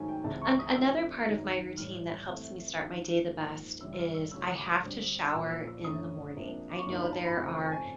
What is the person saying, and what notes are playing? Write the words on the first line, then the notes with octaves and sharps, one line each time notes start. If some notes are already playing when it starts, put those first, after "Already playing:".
An another part of my routine that helps me start my day the best is I have to shower in the morning. I know there are
Already playing: G#2 D#3 F#3 A3 C#4 G#5
G5
C#2 C3 E3 A5
C#6
D#6
C3 F3 A3 D4 F4 E6
F#2 D#3 F#3 B3
A2 E3 G3 F6
C3 E3 A3
G2 D#3 F#3
G#2 F3 A#3
F#2 C#3 E3 G3 E6
E6
F6
E6
C#3 F#3 A3 C#4 E4 E6
D#6
D6
D#6
D2 D3 G3 C4
A#2 F3 A#3 C#4 F4 E6
E6
E6
F#2 D3 F3 A3 C#4 D#6
C3 F3 A#3 D4
D6
C#6
F#2 D3 F#3 A#3 D#4 C6
B5
A5
B5
F2 C#3 F3 A3 C4
C#6
A5
G#5